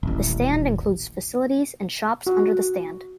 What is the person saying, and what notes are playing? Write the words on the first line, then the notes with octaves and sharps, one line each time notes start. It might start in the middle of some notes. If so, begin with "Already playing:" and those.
The stand includes facilities and shops under the stand.
D#1 A1
F#4